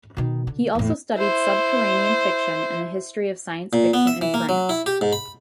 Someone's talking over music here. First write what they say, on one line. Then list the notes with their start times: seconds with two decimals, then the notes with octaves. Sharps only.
He also studied subterranean fiction and the history of science fiction in France.
0.17 B2 D#3
0.47 D3
0.75 E2 A2
1.14 E4 C5
3.73 A#2
3.94 B3
4.07 E5
4.21 E3
4.34 A#3
4.49 F#3
4.69 E4
4.86 G4
5.01 G#2
5.13 B5